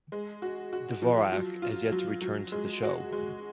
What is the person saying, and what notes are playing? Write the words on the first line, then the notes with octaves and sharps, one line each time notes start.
Dvorak has yet to return to the show.
G#3
F#4
F#4
F3
F#3
F4
F#3
F#3
G#3
F#4
G#3